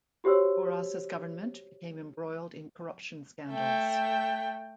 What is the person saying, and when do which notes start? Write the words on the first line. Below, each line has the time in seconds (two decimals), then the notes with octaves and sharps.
Bourassa's government became embroiled in corruption scandals.
0.24 F#4 G4 C5 C#5 E6
3.49 A3 G5